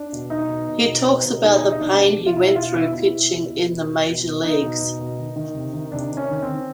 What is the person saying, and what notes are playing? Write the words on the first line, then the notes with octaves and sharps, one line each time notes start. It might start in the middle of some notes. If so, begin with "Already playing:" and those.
He talks about the pain he went through pitching in the Major Leagues.
Already playing: D4
B2
B2 D#4
B2
B2
B2
B2
B2
B2 D#4
B2
D#4
B2 D4
B2
B2
F4
B2 E4
B2 F4
B2 E4
B2 E4
B2
B2
B2
B2
B2
B2
B2
B2 D#4
B2
B2
B2
D#3
D#3
C3
D#3
C3 D4
D#3
C#4
D#3
C4
D#3